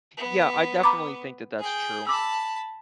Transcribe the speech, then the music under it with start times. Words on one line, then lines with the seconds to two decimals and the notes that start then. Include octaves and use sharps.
Yeah, I definitely think that that's true.
0.18 B3
0.83 A#5 B5 D6
1.58 G#4 G5
2.07 A5 B5 D6 E6